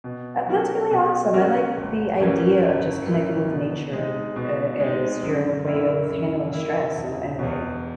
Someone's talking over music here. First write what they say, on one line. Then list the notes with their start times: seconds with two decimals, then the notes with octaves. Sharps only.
eh, that's really awesome. I like the idea of just connecting with nature a as your way of handling stress in a in a way.
0.04 B2
0.47 F#3 C#4 F#4 A#4
0.90 B2
1.34 F#3 C#4 F#4 A#4
1.77 G#1
2.20 F#2 E3 A#3 C#4
2.63 G#1
3.06 F#2 E3 A#3 C#4
3.50 B2
3.93 G#3 D#4
4.36 B2
4.80 G#3 D#4
5.23 F#2
5.66 D#3 A#3 E4
6.09 F#2
6.52 D#3 A#3 E4
6.95 E1
7.39 E2 B2